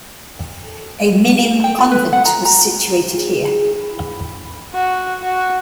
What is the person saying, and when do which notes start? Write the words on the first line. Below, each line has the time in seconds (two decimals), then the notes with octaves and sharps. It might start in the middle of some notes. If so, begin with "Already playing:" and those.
A Minim convent was situated here.
1.64 G5
1.78 F4
1.91 B4
2.13 F#5
2.25 A#5
2.45 A#5
4.74 F#4
5.22 F#4